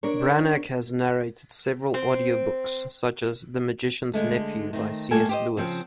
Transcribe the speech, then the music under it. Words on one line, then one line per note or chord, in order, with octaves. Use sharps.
Branagh has narrated several audiobooks, such as "The Magician's Nephew" by C. S. Lewis.
D4 A#4 C#5
C4
D3 G#3 A3
D#3 A3 C4
G3 A3 A#3 A4 G#5
G4 C5 D#5
C#3 F3 C4